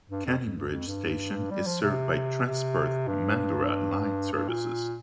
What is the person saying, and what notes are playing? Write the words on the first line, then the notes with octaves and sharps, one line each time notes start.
Canning Bridge station is served by Transperth Mandurah line services.
G2
F2
F2
G2
F2
G2
G3
F3
C3
C3
G2
G2
A#2